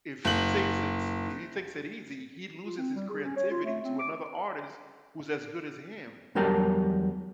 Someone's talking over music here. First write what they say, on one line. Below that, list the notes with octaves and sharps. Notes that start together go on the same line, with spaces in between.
if he takes it s he takes it easy, he loses his creativity to another artist who's as good as him.
F#1 F#7
F4
C4
G3
G#4
C#4
C#5
F4
A3
C4
D6
E2 F#3 G3 A#4 G5 A5